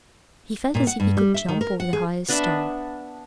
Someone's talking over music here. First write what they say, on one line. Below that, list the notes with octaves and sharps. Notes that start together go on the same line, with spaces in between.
He felt as if he could jump over the highest star.
A#2
F#5
G2
G3
E5
D#3
A#4
F#5
G#4
B3 D4 B4 E5